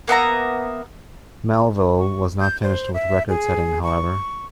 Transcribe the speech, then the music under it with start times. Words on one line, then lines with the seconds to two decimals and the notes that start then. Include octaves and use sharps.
Melville was not finished with record-setting, however.
0.08 A#3 B3 E5 A#5
1.99 C#6
2.41 G6
2.62 C5
2.94 E5
3.29 G#4
3.83 C#6